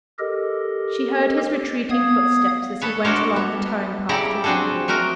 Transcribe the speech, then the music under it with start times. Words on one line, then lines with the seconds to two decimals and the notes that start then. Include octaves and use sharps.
She heard his retreating footsteps as he went along the towing-path to Wingfield.
0.19 G4 A4 A#4 D#5
1.90 B3 F5 D#6 G#6
2.81 A4 B4 C#5
3.04 D4 F#4 A4 A#4 C5 C#5
3.36 B3
4.09 C#3 E4 G4 A4 D5 A#5
4.44 C4 D4 F#4 G#4 A4
4.88 F#3 A3 F#4 A#4 D#5